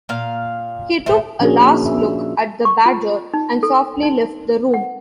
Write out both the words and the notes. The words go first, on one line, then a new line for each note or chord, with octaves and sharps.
He took a last look at the badger and softly left the room.
A#2 F5
A2 A3 C5 E5
A#2 F3 C#4 D4 F#4 G#4
A#3
E5
F4
C#6
F4
D#4
A4
D#4
F#5